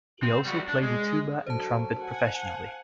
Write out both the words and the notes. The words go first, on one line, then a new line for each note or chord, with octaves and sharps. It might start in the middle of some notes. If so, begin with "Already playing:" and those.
He also played the tuba and trumpet professionally.
C4
G3 F#4
D4
G#3
D3 F#3 C5 A5
F#5 G#5